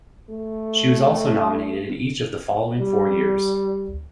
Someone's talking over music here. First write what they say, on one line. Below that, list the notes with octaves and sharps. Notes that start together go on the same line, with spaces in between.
She was also nominated in each of the following four years.
A3
G3